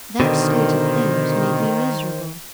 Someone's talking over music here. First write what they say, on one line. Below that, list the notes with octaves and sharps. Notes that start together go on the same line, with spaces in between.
That state of things made me miserable.
B2 D3 D#3 C5